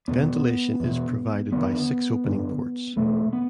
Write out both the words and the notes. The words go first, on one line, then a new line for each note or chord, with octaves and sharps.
Ventilation is provided by six opening ports.
E2 B2 B3
E2 B2
E2 D3 B3
F#2 D3
E2 B2 A3
B3